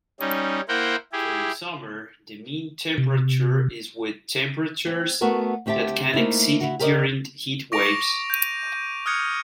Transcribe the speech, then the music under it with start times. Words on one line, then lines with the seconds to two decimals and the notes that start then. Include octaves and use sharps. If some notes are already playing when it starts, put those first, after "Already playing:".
During summer, the mean temperature is with temperatures that can exceed during heat waves.
0.20 G3 C#4 D#4
0.68 A#3 E4 A#4 C5 F#5 G5
1.12 E4 G4 G#4
2.98 C3
4.87 C4
5.21 A3 B3 F#4 A4 A#4
5.66 D2 C4 G4 E5 A5
6.14 A3 A#3 C4 D#4 E4
6.60 E4 F#4
6.79 G4 G#4 A#4 C5 D5 D#5
7.72 C#6 D6 A#6 D7 F7
8.30 G6 D#7
9.06 D#6 F6 F#6 G#6 C#7